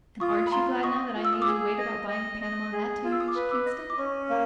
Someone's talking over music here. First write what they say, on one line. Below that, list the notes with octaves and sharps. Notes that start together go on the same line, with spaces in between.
And aren't you glad now that I made you wait about buying a Panama hat till you reached Kingston?
F4 C#6 D#6
B5
F4 A#5 C6
D#5 C#6 D#6
F4
E6
D#6
G#4 D6 E6
D#5
D#5
D#5
G#4
F4
E6
D#6
D6 E6
B4
D6 E6
D#5
D6
C#4 C#6 D#6
A#3